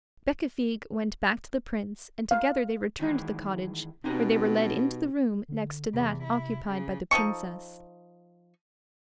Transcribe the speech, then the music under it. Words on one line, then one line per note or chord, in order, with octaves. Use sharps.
Becafigue went back to the Prince and together they returned to the cottage, where they were led into the room next to that occupied by the Princess.
F5
D#3 E3 G#3
B2 C4 C#4 D#4 G4 B4 A#5
D3
E2 C3
E4
C#3
F3 D#4 A4 C#6